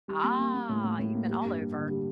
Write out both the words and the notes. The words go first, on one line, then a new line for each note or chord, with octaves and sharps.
Ah, you've been all over.
G3
A#3
A#3
A#3
A2
A2
A2
A#3
G3
G2
G3
D3
G3